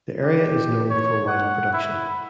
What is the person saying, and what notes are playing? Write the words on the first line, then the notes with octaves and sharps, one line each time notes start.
The area is also known for wine production.
G4
C#5
F#5
E4